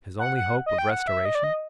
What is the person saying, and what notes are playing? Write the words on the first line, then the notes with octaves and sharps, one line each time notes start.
His only hope of restoration!
F#5
F#5
D#5
G5
F#5
E5
D#5
D5
D#5